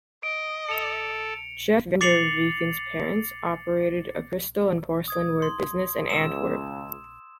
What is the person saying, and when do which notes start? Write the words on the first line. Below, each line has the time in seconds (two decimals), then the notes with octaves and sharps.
Jef Van der Veken's parents operated a crystal and porcelain ware business in Antwerp.
0.23 D#5 D7
0.69 A4 C#7 F7
2.01 D6 A6 C7 C#7 F7 F#7
5.08 D#6 G#6
5.42 C6
6.10 C#2 E6 E7